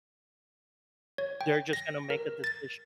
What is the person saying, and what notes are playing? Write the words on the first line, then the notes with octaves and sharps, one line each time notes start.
They're just gona make a decision
C#5
G5
A#6
A#4
A6